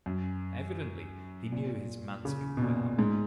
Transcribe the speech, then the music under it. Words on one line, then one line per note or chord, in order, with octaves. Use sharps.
Evidently he knew his Mansfield well.
F#2
A#2
C#3
B2
A#2
G#2